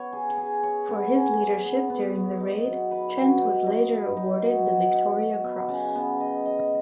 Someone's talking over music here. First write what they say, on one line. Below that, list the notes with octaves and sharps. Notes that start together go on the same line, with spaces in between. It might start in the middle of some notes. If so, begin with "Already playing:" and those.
For his leadership during the raid, Trent was later awarded the Victoria Cross.
Already playing: B3 C#5
G#4
G#4
C#5
B3
G#4
C#5
B3
B3
B3
D#4
F#3
B4
F#3
D#4
D#4
B4
D#4
F#3
F#3
D#4
F#3
B3
C#3
B3
D#5
D#5